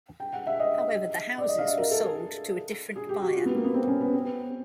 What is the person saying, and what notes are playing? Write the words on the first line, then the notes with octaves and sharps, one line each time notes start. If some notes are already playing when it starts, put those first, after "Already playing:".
However, the houses were sold to a different buyer.
G5
F#5
E5
D#5
D5
D#5
F5
E5
A#4
A4
G#4
G#4
G4
F#4
F4
B3
A#3
B3
C4
C#4
B3
C4